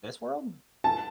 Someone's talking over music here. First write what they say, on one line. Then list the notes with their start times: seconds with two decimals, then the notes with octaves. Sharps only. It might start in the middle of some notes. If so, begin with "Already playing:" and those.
This world?
0.84 A5